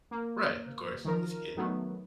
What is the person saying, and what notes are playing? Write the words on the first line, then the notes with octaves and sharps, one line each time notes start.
Right, of course, he's a kid.
A#3
D#3 F3 A#4
D#3 F#3 A3 B3